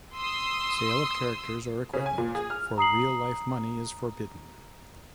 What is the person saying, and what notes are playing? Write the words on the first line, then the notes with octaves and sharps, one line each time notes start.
Sale of characters or equipment for real life money is forbidden.
C6 D#6 E6
C#3
G#5
A#2
G#4
F6
A#5 D#6 C7 F#7